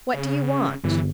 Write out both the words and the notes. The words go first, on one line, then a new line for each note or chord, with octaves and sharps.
"What do you want?"
C#3
G1 E3